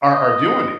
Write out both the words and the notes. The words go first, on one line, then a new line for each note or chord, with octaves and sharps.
are are doing it.
D#5